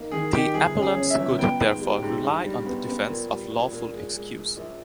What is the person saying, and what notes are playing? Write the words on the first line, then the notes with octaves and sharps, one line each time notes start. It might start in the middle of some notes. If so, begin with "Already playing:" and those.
The appellants could therefore rely on the defence of lawful excuse.
Already playing: A#3 D#4
D#3 G#4
D#4 G4
G1 G#4
C#4
G#4
C#4
E5
G1
B3 G5
G#2
G3
G#2
G2
G3
B3
B3
A#2
G3
A#2
A#2
G#3
G#3
G#3
A#1